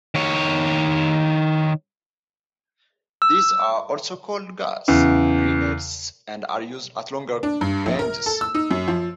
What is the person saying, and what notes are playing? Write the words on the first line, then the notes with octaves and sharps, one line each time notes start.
These are also called gas grenades, and are used at longer ranges.
D#3 C#5
E6
E2 C#3
D4
G2
A#1
A#4
A4
E6
D#4
F#2
F3